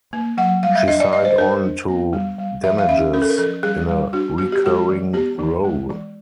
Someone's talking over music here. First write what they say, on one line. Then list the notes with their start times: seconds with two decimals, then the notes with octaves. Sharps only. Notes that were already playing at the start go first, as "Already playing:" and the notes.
She signed on to "Damages" in a recurring role.
0.13 A#3
0.37 F#3 F#5
0.63 G3 F5
0.75 E5
0.88 D4 D#5
1.00 D5
1.13 G3 D#5
1.25 C5
1.38 D4 A#4
1.63 D4
1.88 B3
2.13 G3
2.38 G3
2.64 F3 E5
2.78 F5
2.88 C#4 E5
3.13 C#4 A#4
3.22 A4
3.30 A#4
3.38 F3 A4
3.63 G3 G#4
3.88 G3
4.13 D4 F#4
4.38 B3 F#4
4.52 G4
4.64 G#3 F#4
4.88 E3
5.13 B3 G4
5.39 E3
5.64 G#3
5.89 E3